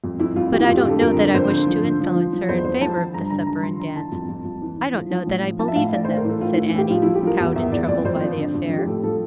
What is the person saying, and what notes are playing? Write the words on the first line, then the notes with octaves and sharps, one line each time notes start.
"But I don't know that I wish to influence her in favour of the supper and dance; I don't know that I believe in them," said Annie, cowed and troubled by the affair.
F2
F2 E4
F2 F4
F3 G4
E4
F2 F4
G4
D3 A4
F2 A#4
D3 A#4
F2 C5
D3
F3
D3
F3
F3
F3
E2 C5
F3 C5
F3 A5
F3 A5
G2 A#5
D3 A#5
G2 A#5
F3 C6
D3 A#5
E3 A5
F2
F2
F2
E3
E3
F3
F3
A2
F3
F3 A5
E5
A2 F5
A2 D5
A2 C5
A#4
E3 A4
A2 F4
E4
A2
E4
A2 G4
F3 F4
F3 E4
G4
F3 A#4
E2
E2 E5
E2 D5
F2 D5
F2 C5
F3 D5
D3
F2
F3
G4
A2 A4
F3 A4